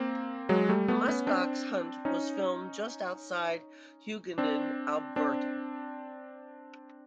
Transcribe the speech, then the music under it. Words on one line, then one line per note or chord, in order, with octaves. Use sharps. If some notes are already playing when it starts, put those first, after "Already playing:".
The muskox hunt was filmed just outside Hughenden, Alberta.
Already playing: A#3 C4
F#3 G#3
G3 A3
A3 B3
B3 C#4
C4 D4
C#4 D#4
C4 D4
C4 D4